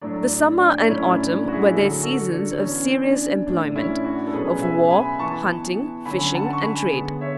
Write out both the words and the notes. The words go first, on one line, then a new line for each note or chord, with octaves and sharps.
The summer and autumn were their seasons of serious employment,--of war, hunting, fishing, and trade.
A2 F#3 A3 D4
D4
D4
A2 F#3 A3 C#4 E4
D4
F#4
E4 G#4
D3 F#3 A3 C#4 F#4 A4
F#4 A4
D4
E3 B3 C#4
D4
A2 E3 A3 D4
C#4 E4
D4 F#4
A4
B2 F#3 C#4 G#4 B4
E5 G#5
G#5 B5
E3 B3 A5 C#6
D3 F#3 C#4 G#5 B5
F#5 A5
C#6
G#5 B5
D3 G#3 B3
C#5 E5